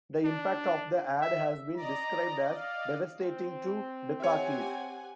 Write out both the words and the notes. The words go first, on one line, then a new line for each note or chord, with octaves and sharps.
The impact of the ad has been described as devastating to Dukakis.
D4
E5
D5 D#5 A#5
F5
C4
G4 C#5 E5 F#5 G#5